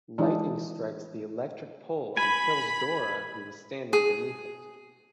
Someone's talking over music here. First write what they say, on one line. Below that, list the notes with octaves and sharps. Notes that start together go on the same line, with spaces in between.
Lightning strikes the electric pole and kills Dora who was standing beneath it.
E3 G#3 D4 D#4
G#5 B5
G#4